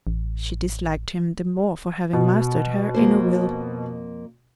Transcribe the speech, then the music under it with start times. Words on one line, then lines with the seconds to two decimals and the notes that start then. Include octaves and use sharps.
She disliked him the more for having mastered her inner will.
0.07 A1
2.13 B2
2.94 F2 A#3 C5